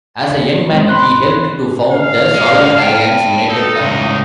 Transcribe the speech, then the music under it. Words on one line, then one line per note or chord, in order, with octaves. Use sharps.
As a young man he helped to found the Solomon Islands United Party.
G#3 C4
B5 C6 F#6
F5
A#2 G#3
G5 A5
D#4 A4
C#2 A2